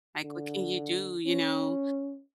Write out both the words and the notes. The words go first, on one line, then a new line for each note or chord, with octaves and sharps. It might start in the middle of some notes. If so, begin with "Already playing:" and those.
Like, what can you do?" You know,
D3
C#4